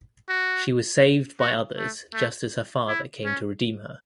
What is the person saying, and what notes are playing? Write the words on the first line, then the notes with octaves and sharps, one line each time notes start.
She was saved by others just as her father came to redeem her.
F#4
F#4
A3
A3
E4
C#4